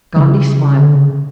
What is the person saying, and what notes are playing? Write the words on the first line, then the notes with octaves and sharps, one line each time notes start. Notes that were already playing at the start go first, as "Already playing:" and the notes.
Gondy smiled.
C#3
D3
C#3